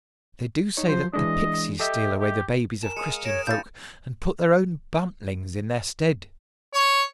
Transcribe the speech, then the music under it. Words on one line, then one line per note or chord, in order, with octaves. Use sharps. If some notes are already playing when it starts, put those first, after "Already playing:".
They do say that the pixies steal away the babies of Christian folk, and put their own bantlings in their stead.
D#4 C#5
F3 F#3 C5
E3 G#3 D4 D#5
G4 A4 D#5 E5
G4
A#4 G#5 A5 E7
G#3 F5 D#6 C#7 D#7
C#5 A#6 D7 E7
D4 E4 G4 F5 G6 A6
C#5